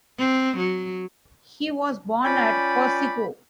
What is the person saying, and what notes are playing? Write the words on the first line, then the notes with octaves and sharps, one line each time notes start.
He was born at Corsico.
C4
F#3
C#4 F4 D5 G5 B5